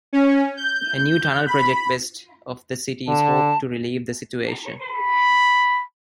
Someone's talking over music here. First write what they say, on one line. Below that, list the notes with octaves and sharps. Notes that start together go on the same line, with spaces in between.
A new tunnel project west of the city is hoped to relieve the situation.
C#4
G6
B5
D3 A5
B5